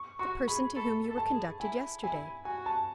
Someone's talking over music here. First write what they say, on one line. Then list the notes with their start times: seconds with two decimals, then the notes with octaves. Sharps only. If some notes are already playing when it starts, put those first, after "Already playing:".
"The person to whom you were conducted yesterday."
Already playing: C#6
0.19 F#4 C#6
0.47 G#4 B5
0.76 A4 B5
1.04 A4
1.18 A5
1.32 G#4
1.60 E4 G#5
2.03 E4 G#5
2.45 F#4 G#5
2.66 A5